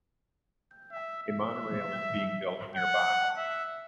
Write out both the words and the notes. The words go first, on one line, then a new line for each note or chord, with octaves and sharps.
A monorail is being built nearby.
E5
E5
F#5
E5